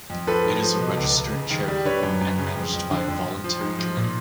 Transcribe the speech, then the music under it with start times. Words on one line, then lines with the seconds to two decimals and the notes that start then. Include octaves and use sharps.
It is a registered charity and managed by a voluntary committee.
0.10 F2
0.27 F3 A4 B4
0.44 G#2
0.62 F3
0.80 B2
0.97 C#2
1.15 C#2
1.33 C#3
1.50 D#2
1.68 G3
1.85 D3 B4 C#5
2.03 F#2
2.21 F#2
2.37 C#3
2.55 F2
2.73 F2
2.91 D3
3.09 F2
3.26 F2
3.44 F3
3.61 G#2
3.79 F3
3.97 A#2